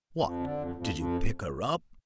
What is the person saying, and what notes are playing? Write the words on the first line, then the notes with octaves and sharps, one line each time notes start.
"What! did you pick her up?"
F2
D3
F2
F2
F2